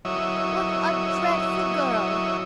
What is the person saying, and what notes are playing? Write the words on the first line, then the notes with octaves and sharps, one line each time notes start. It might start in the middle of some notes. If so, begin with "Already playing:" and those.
"What a dreadful girl!"
F#3 E4 C#5 D#5 E5